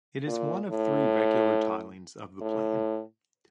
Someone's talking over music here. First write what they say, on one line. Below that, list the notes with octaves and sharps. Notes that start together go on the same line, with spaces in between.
It is one of three regular tilings of the plane.
A#2
A2
A2